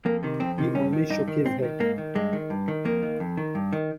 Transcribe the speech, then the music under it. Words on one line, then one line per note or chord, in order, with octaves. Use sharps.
He only shook his head.
F2 A#3
C3 D#3
F2 C4
C3 D#3
G2 C#4
D#3
G2 D#4
D#3
G#2 C4
D#3
G#2 A#3
D#3
G2 G#3
D#3
G2
D#3
F2 A#3
D#3
F2
D#3
G2
D#3